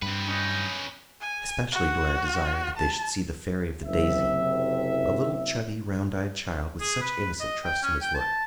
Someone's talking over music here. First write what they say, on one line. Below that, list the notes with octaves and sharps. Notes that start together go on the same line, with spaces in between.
Especially do I desire that they should see the fairy of the daisy; a little, chubby, round-eyed child, with such innocent trust in his look!
G2 C4 B4
C#4 D#4 B4
G#5
F#4
A5
F#1 C3 E5
G#4
B4
D#5
G5
C#4
G5
A5